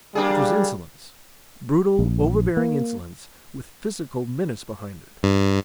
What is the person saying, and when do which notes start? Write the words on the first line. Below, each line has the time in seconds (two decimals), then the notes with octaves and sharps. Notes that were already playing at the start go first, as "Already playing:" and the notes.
It was insolence--brutal, overbearing insolence, with physical menace behind it.
0.15 G3 A#3 D4 G#4
1.99 A#1
2.57 A#3
5.23 G2